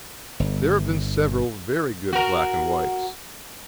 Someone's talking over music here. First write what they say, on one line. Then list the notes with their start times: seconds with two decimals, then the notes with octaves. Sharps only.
There have been several very good black and whites.
0.40 G1
2.13 F#4 A#4